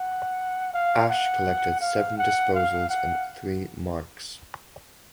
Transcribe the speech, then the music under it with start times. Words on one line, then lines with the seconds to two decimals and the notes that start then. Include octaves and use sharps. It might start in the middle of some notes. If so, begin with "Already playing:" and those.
Ash collected seven disposals and three marks.
Already playing: F#5
0.74 F5
1.09 F#5
1.81 F5
2.18 F#5
2.54 F5
2.89 F#5